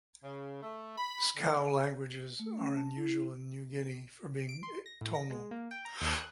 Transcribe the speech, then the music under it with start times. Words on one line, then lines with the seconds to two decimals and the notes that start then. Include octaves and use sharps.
Skou languages are unusual in New Guinea for being tonal.
0.23 C#3
0.63 A3
0.98 B5
1.37 D3
2.40 A3
2.58 C#4
2.77 A5
2.97 E4
4.49 D7
4.63 C6
4.86 A#6
5.01 A2
5.14 A#6
5.30 G#3
5.51 A#3
5.71 G5
5.85 A#5
6.01 D#2
6.14 F#6